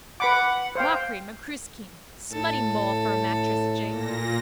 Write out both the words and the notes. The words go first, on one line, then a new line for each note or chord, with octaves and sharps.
Machree, macruiskeen. Smutty Moll for a mattress jig.
B4 F#5 B5 D6
C5 F5 G5
A2 A4
A#2 A#6